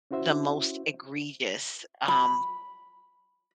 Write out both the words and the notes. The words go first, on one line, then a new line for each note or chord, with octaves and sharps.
the most egregious, um,
C#4 E4 F#4 C5 E5
B5